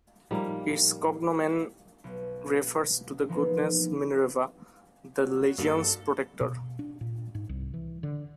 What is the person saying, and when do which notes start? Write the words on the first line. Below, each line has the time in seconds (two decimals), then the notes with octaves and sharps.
Its cognomen refers to the goddess Minerva, the legion's protector.
0.31 A2 F3 G3 A#3 D#4
2.04 B1
3.29 E3 F3 G#3 A#3 B3 D#4
5.22 F#3
5.58 G2 D#3 A#3 F#4 A4
6.41 B2
6.79 D4
7.01 A#2
7.35 G#2
7.49 C2
7.74 E3
8.03 D3